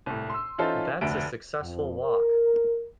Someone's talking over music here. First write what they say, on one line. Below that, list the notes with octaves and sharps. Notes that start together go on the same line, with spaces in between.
That's a successful walk!
C2 A2
C6 E6
E3 C#4 D#4 F4 A4 C5
F1 D2 F#4 E5 D7
F2
A#4